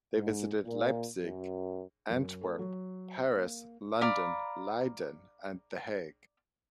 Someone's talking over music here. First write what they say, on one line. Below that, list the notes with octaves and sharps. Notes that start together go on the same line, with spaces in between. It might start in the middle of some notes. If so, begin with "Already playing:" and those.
They visited Leipzig, Antwerp, Paris, London, Leiden and The Hague.
G#2
A#2
F#2
F#2
A3
F#3
A#3
D5 F5 A#5 B5